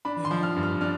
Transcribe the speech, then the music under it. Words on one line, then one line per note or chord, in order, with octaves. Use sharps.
You know
D4 B5
C6
F3
F6
G2
F6
D4 F6